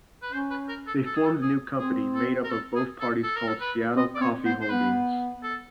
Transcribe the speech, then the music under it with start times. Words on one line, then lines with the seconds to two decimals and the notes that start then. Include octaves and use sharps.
They formed a new company made up of both parties called Seattle Coffee Holdings.
0.22 B4
0.32 C#4 C5
0.50 B4
0.69 A#4
0.87 A4
1.05 A4
1.15 G#4
1.25 A4
1.42 G#4
1.78 C4 G#4
2.14 A4
2.44 A#4
2.51 A4
2.75 G#4
3.00 A4
3.23 A4
3.36 A#4
3.48 A4
3.60 B4
3.97 C4 D#5
4.14 D5
4.21 C4 C#5
4.45 B3 C5
4.61 C5
4.69 B3 B4
5.43 A4